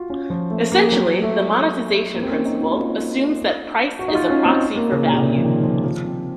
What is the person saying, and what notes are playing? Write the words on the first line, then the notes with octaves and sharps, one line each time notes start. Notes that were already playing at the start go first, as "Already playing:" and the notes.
Essentially, the monestisation principle assumes that price is a proxy for value.
Already playing: F4 F#4
C#4
F3
A3
A#3
F#3
A3
A#3
C4
C#4
D#4
F#4
F4
F#4
D#4
F4
C#4
C4
A#3
C#3
A#2
C3
C#3
F3
D#3
F3
F3
C4